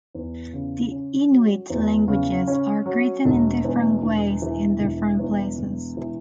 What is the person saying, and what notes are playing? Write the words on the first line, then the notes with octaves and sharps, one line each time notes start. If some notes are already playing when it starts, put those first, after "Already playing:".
The Inuit languages are written in different ways in different places.
E2
C#3
C#4
F#3
E2
C#3
C#4
F#3
E1
E2
E1
E3
E1
E2
E1
E3